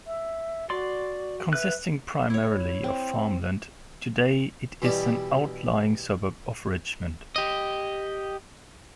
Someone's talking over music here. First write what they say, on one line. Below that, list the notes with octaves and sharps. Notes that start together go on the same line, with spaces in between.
Consisting primarily of farmland, today it is an outlying suburb of Richmond.
E5
F#4 D5 C6
B4 E5 F#6
E4 C#5
C4
B2 E3 G3 D5
G4 D#5